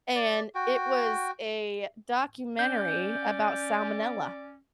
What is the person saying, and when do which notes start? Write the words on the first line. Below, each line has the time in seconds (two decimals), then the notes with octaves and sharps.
and it was a documentary about salmonella.
0.15 D5
0.55 F#4 G5
2.59 C#4 D5 G6